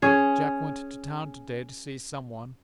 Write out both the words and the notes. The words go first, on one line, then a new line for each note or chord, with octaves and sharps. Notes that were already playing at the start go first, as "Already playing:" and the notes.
Jack went to town today to see some one.
C#4 G#4